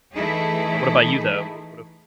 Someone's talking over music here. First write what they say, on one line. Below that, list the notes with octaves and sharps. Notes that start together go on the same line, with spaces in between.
Uh, what about you though? What what, uh
E3 A3 D#4 E4 G#4